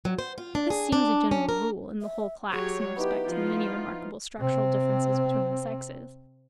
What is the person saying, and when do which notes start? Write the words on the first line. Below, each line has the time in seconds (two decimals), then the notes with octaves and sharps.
This seems a general rule in the whole class in respect to the many remarkable structural differences between the sexes.
0.05 F#3
0.19 C5
0.38 F4
0.55 D4
0.70 G#4
0.92 D4
1.31 C#4
1.49 A#4
2.02 E5
2.52 F#3 G4 G#4 C#5
2.96 B3 D#4 E4 G4 B4
3.27 F3 F4
4.38 C3 C4